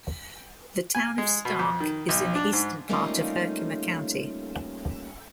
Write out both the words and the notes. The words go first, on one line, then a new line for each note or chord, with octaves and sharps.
The Town of Stark is in the eastern part of Herkimer County.
G#5
G#3
B2
F2
D#3
B1
D4
G#2
G3 A3 A#3 C#4 D#4 F4